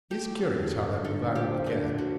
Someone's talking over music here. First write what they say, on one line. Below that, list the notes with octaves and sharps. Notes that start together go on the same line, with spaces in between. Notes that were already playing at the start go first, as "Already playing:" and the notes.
It is curious how that revival began.
A3 G4
D3
A3
D3 A4
F3 G4
D3 D4
D3 F#4